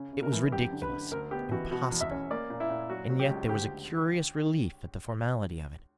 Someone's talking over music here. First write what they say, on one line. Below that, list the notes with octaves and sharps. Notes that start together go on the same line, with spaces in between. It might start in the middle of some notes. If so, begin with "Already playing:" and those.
It was ridiculous, impossible, and yet there was a curious relief at the formality of it.
Already playing: C#3 C#4
C#3
A#4
E3
F#2 G4
D3
B4
D3
D2 A#4
B3 G4
E3 F#4
B2 F#4
E2
E5
C#4
A#3 D5
A#2
E4
A#2
F#3 F#4
F#3
G4
C#2
D2 G4